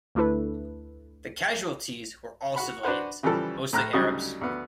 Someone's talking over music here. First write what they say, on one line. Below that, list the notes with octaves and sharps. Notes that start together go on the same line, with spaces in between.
The casualties were all civilians, mostly Arabs.
D2 A3 D4 E4 A4 B4
F#4 F#5 B5
D4 F#4 B4 C5 F#5
C#3 E3 F3 G3 A4
A2 A#5 F6 F#6
D2 C#3 F#3 G3 D#4 D#6
D2 B3